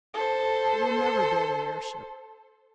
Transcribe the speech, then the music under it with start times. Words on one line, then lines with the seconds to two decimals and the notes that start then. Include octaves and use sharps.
"But you'll never build an airship!"
0.14 A4 C5